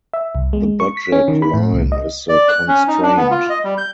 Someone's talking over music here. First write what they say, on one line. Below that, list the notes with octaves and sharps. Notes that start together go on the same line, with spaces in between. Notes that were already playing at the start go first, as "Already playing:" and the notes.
The budget line is the constraint.
E5
C2
G#3
C#6
B6
C#4
D#3
B5
A2
C2
D#5
D5
F#6
C#4
D#4
D4
B3
F4
D#5
G3
G6